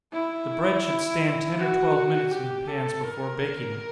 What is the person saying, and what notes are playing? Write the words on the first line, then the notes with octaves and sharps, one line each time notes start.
The bread should stand ten or twelve minutes in the pans before baking it.
E4
F#4
G4
A4
A#4